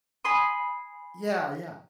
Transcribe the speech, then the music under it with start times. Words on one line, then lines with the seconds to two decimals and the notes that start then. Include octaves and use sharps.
Yeah, yeah.
0.25 G#5 B5 C6 D#6